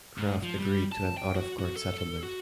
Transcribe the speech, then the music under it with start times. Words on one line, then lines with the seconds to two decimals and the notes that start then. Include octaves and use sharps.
Kraft agreed to an out-of-court settlement.
0.18 G#2
0.43 F3
0.59 G3
0.92 A5
1.17 G5
1.36 F#4
1.59 F#4
1.76 A4
2.23 F#4